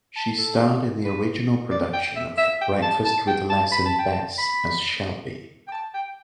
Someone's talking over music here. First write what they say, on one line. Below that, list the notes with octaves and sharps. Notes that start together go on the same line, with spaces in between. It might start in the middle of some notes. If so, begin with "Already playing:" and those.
She starred in the original production of "Breakfast with Les and Bess" as Shelby.
A5
A4
B4
D5
G5
E5
E5
G5
A5
A5
G5
A5
B5
A5
G5
A5
B5
G5
A5
G5